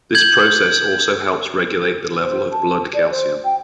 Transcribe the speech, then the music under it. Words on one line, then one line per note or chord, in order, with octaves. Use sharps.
This process also helps regulate the level of blood calcium.
G6 G#6 F#7
C5
A5
D5
C5
G5